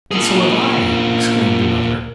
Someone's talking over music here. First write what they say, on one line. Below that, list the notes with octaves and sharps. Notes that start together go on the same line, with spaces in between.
"And so have I," exclaimed another.
A#2 G#4